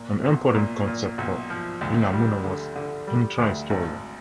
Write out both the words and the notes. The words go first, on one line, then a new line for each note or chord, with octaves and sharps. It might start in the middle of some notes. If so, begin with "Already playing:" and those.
An important concept for Unamuno was "intrahistoria".
Already playing: A#2
B1
A#2
A#2
B1
F3
D2
G3
D3
D3
G3
D2
G#1